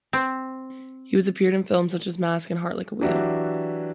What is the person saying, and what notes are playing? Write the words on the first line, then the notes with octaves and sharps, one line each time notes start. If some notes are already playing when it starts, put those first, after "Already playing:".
He has appeared in films such as "Mask" and "Heart Like a Wheel".
C4
E3 F#3 D4 F#4 G4 E5